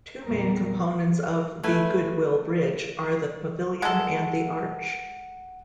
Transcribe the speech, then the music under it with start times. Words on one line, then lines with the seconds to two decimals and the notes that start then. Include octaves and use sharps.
Two main components of The Goodwill Bridge are the pavilion and the arch.
0.23 E2 A#2 G3 B3 A#4
1.63 A3 B4 G#5
3.82 G#3 A4 F#5